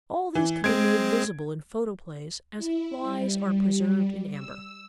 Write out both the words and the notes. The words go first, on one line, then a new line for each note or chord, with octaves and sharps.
All these could be made visible in photoplays as flies are preserved in amber.
E3
G#3 C4 G#6 D7
E4
G3
E6